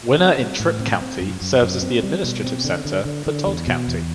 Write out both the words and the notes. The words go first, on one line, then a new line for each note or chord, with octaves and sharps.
Winner in Tripp County serves as the administrative center for Todd County.
C4
G3
A2
C4
C4
F#2
F#2
F#2
C4
G3
B2
C4
D3
D3
D3
D3
E2
B2
E2